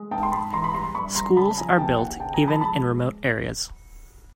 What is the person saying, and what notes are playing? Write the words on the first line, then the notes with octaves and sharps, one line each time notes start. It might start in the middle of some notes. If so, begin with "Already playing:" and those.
Schools are built even in remote areas.
Already playing: G#3
G#2 G5 A5
C6
G#2 A5 B5
E3 A#5 C6
B5
G3 A#5 C6
G2 B5 C#6
G2 A#5 C6
C#3 A5 B5
F3 G#5 A#5
D#2 G5 A5
D#2 F#5 G#5
C#3 G5 A5
G#5 A#5
F3
A5 B5
G#3 A5 B5